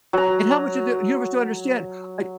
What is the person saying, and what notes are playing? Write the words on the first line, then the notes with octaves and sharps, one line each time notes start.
and how much of the universe do you understand, like
F#3 A#5